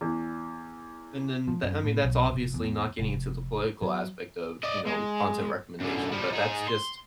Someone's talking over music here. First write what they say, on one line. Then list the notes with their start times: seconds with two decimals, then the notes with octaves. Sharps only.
and then that I mean, that's obviously not getting into the political aspect of, you know, content recommendation. But that's just
0.01 E2
1.48 F3
1.64 F#2
1.84 A2
2.03 B1
2.33 F1
2.54 E2
2.99 F1
3.82 F#3
4.63 D5 D#5
4.87 G#3
5.80 F#2 D3
6.12 F3 G3
6.32 D#4 G#4
6.68 C6